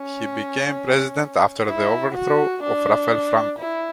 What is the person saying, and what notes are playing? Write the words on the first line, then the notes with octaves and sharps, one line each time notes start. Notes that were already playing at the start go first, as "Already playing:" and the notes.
He became president after the overthrow of Rafael Franco.
Already playing: C#4
E4
F#4
D4
E4